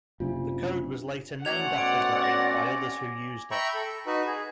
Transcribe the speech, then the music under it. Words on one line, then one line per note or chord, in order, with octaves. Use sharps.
The code was later named after Gray by others who used it.
F#1 C3 D4 F4
F#3 A3 C4 C#4 D5 F#5 G#6 F7
B2 D5 D7
D6 A#6
G#5
E5 G5 A#5 B5 C#6
A4
D#4 F#4 B4
G#4